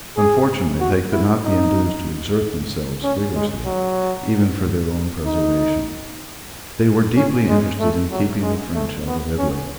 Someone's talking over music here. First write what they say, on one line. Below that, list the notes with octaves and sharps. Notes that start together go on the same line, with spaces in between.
Unfortunately they could not be induced to exert themselves vigorously even for their own preservation. They were deeply interested in keeping the French out of Italy.
G#4
F#4
E4
D#4
C#4
G#3
F#3
D#4
C#4
G#3
A3
F#3
G#3
A3
B3
C#4